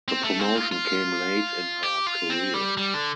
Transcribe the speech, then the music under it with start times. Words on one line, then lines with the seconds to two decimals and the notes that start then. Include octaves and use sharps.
The promotion came late in her career.
0.08 C4
0.24 A3
0.40 C4
0.55 F4
0.71 F4
1.83 G4
2.06 F4
2.30 C4
2.54 G3
2.77 G3
2.94 D3